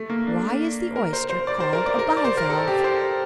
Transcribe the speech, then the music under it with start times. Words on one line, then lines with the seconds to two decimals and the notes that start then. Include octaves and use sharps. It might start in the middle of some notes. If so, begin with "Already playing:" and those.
Why is the Oyster called a bi-valve?
Already playing: A3
0.10 A#3
0.27 D4
0.96 A#4
1.13 C5
1.30 C5
1.47 D5
1.60 C5
1.73 A#4
1.86 D5
1.99 A#4
2.17 D5
2.24 C5
2.37 A#4
2.50 A4
2.67 G4
2.84 C5